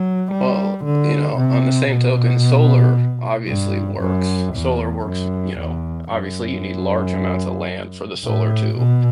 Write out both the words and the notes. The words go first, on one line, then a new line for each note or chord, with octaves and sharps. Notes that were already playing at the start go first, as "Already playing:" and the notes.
Well, you know, on the same token, solar obviously works. Solar works, you know, obviously you need large amounts of land for the solar to
Already playing: F#3
G3
D3
C3
B2
G2
F#2
E2
F#2
E2
F#2
A2
B2